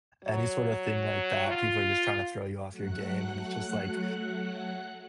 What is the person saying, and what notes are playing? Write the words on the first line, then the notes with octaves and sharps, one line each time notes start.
any sorta thing like that, people are just trying to throw you off your game. And it's just like,
F#3
F4
F#3 A3 F#5 F#6